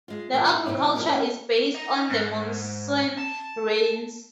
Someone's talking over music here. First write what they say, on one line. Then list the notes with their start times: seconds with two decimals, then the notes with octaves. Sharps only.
The agriculture is based on the monsoon rains.
0.08 G#3 F4
0.33 A#2 D3 E3 G3 A#3
0.52 E4
0.66 B2 F#3 C4 D#4 E4
0.95 F2 B2 G#3 A#4 F5
1.06 A#3 C#4
1.74 D#4
2.10 G#2
3.18 A5